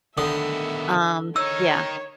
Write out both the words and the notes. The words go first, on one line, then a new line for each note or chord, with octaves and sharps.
Um, yeah
D3 D#3 B3 E5 D#6
D#4 A#4 C#5 E6